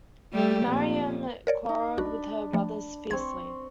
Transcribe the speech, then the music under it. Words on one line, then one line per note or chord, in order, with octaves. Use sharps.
Miriam quarrelled with her brothers fiercely.
G3 A3 G4
F2 A#2
A#4 C#5 D5
D#4
B1 D4 F#4 B5
F3 A3
A1 C4 C6 C#6 G#6